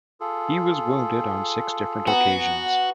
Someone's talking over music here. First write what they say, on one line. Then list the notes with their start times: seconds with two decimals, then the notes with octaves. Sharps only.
He was wounded on six different occasions.
0.20 F4 G#4 A4
2.07 B3 F#4 G#5 A#5